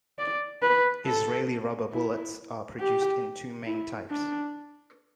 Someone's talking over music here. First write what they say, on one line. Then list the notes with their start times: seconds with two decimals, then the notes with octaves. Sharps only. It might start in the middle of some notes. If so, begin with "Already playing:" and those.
Israeli rubber bullets are produced in two main types.
0.19 D5
0.62 B4
1.06 A4
1.92 E4
2.80 G4
3.66 E4
4.10 D4